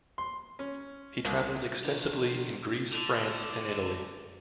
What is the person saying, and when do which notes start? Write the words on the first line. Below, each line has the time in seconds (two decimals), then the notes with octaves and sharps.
He travelled extensively in Greece, France and Italy.
0.18 C6
0.59 C#4
1.25 C2
1.85 D4 A#4
2.92 D3